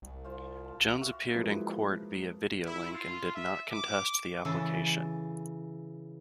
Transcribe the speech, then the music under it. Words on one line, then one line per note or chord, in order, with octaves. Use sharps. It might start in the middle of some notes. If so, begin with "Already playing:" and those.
Jones appeared in court via video-link and did not contest the application.
C2
F4 C5 F5
A5
F#4 E5 F5
F3 F#3 G#3 A#3 E4 B4
E4
F4
E5
D6
C#3 E3 A4